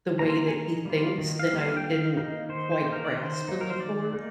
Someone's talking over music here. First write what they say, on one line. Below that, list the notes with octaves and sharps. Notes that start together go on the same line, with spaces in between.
the way that he thinks, that I didn't quite grasp b before,
G3 A#3 F4 A#5
C6
A#5
G#5
D#3 A#5
G3 A#3 F4
D#3
F5
G3 A#3 F4
F5
G5
D#3 F5
A#3 D#4
D#3 C5
C5
A#3 D#4
A#4
D5
D#3 C5
A#3 D#4
A#4
C5
D#3 D5
A#3 D#4